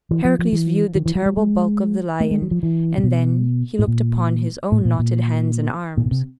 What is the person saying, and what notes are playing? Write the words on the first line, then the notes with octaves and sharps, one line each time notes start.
Heracles viewed the terrible bulk of the lion, and then he looked upon his own knotted hands and arms.
E3
F3
F3
E3
D#3
E3
F#3
G3
G#3
A3
G#3
F#3
F3
E3
C3
B2
A2
A#2
A2
A#2
A#2
A#2
B2
C3